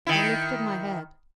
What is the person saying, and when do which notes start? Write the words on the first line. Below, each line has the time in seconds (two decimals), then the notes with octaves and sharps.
I lifted my head.
0.07 D#3 E4